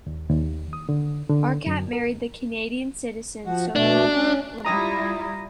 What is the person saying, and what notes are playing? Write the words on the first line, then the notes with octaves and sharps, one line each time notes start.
Harkat married the Canadian citizen Sophie Lamarche.
D#2
D#2
D#6
D3
D3
F#2
A#4
F3 F#4
B2 A3 D4
C#4
G3 E4 F4 A#5 D#6 A#6